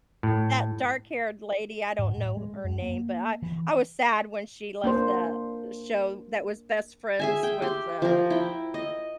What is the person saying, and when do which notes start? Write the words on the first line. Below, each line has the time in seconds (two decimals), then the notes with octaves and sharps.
That dark haired lady- I don't know her name- but I I was sad when she left the show that was best friends with, uh
0.23 A2
1.99 G#2
2.18 A2
2.37 G#3
2.64 F#2
2.82 A#3
3.42 E3
4.84 A#3 D4 C5
7.19 G#4 E5 G#5
7.43 G5
7.62 G4 C6
8.02 F3 A#4
8.30 E4 G5
8.74 D#5